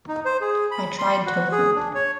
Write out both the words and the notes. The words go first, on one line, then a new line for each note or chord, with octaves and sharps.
I tried tofu.
D#4
C5
G#4
B5
C6
F#4
G#4
D4
C#5